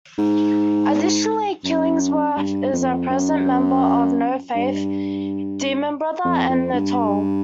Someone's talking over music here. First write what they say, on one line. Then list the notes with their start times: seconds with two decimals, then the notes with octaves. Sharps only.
Additionally, Killingsworth is a present member of No Faith, Demonbrother, and The Toll.
0.18 G#2
1.64 F#2
2.37 G2
2.73 F2
3.09 F#2
4.55 G2
6.25 F2
6.49 F2
6.73 G2